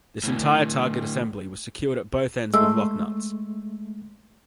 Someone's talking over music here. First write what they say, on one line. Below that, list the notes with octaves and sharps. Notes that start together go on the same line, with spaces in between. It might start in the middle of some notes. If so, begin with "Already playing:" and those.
This entire target assembly was secured at both ends with locknuts.
D2 A2
G#3 A3 C6 E6